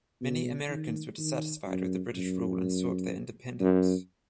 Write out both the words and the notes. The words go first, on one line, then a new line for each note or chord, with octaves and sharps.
Many Americans were dissatisfied with British rule and sought their independence.
B2
D#3
D#3
F#2
F#2
F#2